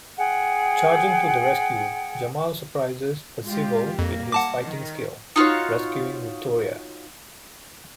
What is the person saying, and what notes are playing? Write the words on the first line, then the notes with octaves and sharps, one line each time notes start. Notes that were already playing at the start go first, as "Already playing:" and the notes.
Charging to the rescue, Jamal surprises Percival with his fighting skills, rescuing Victoria.
G#4 F#5 G5
G#3 F4 G4
F2 G3 A#3
F#5 A5 D6
D#3
D#4 F4 F#4 C#5